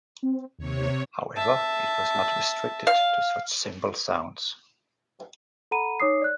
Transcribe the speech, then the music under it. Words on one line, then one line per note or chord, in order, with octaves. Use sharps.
However, it was not restricted to such simple sounds.
C4
D#2 C3 C#5
E5 A5
F5
A4 F#5 A#5 B5 D#7
D#4 C#5 D6 D#6 C7
D5 F#6